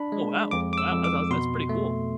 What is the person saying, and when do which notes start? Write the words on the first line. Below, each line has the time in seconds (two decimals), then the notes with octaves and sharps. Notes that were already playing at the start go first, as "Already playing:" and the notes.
Oh wow, wow, that's awes that's pretty cool.
Already playing: D4 B5
0.12 G#3
0.51 F2 D6
0.73 D6
0.78 E6
0.92 F2
1.04 D6
1.31 B2 C6
1.69 A3